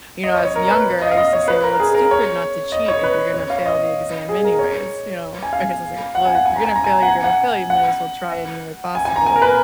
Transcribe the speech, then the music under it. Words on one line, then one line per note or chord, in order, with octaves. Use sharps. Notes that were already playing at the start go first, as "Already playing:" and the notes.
You know, as younger, I used to say, "Well, it's stupid not to cheat if you're gonna fail the exam anyways," you know? I guess I was like, "Well, if you're gonna fail, you're gonna fail, you might as well try any way possible."
D#5
C#5
C#5
A#4
B4
D#5
F5
D#5
C#5
B4
A#4
G#4
A#4
C#5
D#5
C#5
B4
C#5
F5
D#5
G#4
A#4
C#5
G#5
F5
F#5
G#5
F#5
G#5
A#5
G#5
A#5
G#5
F#5
G#5
F#5
F#5
G#5
G#5
A#5
G#5
A#4
B4